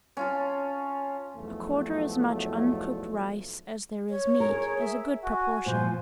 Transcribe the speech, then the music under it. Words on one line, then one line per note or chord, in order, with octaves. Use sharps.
A quarter as much uncooked rice as there is meat is a good proportion.
C#4 F4 A5
B1 E2 F3 A3
C#5
G#4 A#4
E5
F#4 G#5
A#2 F3 C5